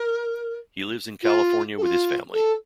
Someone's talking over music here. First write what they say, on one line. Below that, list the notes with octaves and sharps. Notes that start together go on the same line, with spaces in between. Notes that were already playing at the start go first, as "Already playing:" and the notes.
He lives in California with his family.
Already playing: A#4
F4
A4
F4
A4